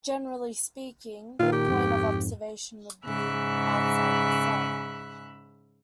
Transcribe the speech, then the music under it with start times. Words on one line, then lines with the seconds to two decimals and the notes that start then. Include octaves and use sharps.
Generally speaking the point of observation would be outside the cell.
1.39 A#2 D#3 F4
1.52 G4
1.68 F2 G#2
3.05 G#2 C#3 E5 B5 F#6